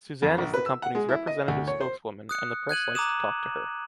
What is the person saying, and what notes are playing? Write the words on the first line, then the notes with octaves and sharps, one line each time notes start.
Susanne is the company’s representative spokeswoman and the press likes to talk to her.
F2
A#1
B4
E6
F#5
G#3
E4
D#5
D2
C#5
C5
D#6 F#6 C#7
F#6 G#6 D#7 F#7
A#5 D6 D#6 E7